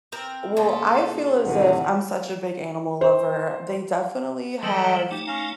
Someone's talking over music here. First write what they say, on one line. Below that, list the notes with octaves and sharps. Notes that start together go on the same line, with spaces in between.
Well, I feel as if I'm such a big animal lover, they definitely have
C4 A#4
C#3 A#3 F4 A4 D5
D2 A2 C3 D#3 E3 F#5
C5
E3 F#3 G3 A4 D#5 G5
A3 D#4 G4
C#4 F5 A#5